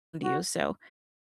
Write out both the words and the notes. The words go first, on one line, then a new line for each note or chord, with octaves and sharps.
you, so,
F#4